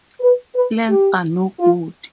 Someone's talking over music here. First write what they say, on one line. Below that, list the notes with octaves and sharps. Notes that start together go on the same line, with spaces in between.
Plans are no good.
B4
B4
G4
F4